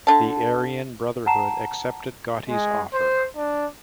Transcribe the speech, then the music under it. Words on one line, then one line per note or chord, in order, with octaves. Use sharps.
The Aryan Brotherhood accepted Gotti's offer.
D3 A5
F#5 A5 A#5 C7 E7
G#3
C5
D4